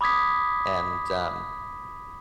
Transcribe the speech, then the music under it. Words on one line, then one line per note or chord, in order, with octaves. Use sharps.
And, um,
B5 D6 D#6 G#6 B6